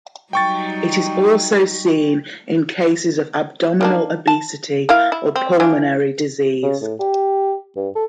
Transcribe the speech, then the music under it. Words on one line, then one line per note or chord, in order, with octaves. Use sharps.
It is also seen in cases of abdominal obesity or pulmonary disease.
F#3 G3 D#4 G5 C#6 A6
D#3 A#3 D4
A5
A#3 E4 F5
E4
C4
E3 D4 F4
C#3
A2
G4
G2
A4